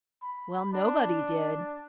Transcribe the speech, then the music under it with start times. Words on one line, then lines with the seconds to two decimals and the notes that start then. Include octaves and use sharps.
Well, nobody did.
0.23 B5
0.73 D4